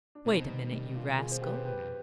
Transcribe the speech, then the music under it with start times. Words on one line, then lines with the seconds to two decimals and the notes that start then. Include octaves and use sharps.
Wait a minute, you rascal!
0.15 D4
0.25 B2 C4 D#4
0.49 D#3 G3
0.72 D#3 G3
0.95 D4 F4
1.18 F4 G#4
1.31 C5
1.42 G4 B4
1.55 C5
1.65 G4 B4
1.76 F2